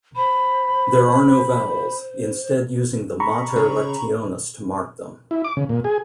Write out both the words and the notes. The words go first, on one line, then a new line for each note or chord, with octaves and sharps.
There are no vowels, instead using the mater lectionis to mark them.
C5 B5
A#5 B5 C#6
C#3
E4
D6
C#3
A#2
G#4